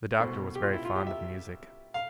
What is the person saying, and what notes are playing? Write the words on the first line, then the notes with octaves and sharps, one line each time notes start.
The Doctor was very fond of music.
C2 B2 A3 C5
G4
F4
E4
F4
G4
E5
F5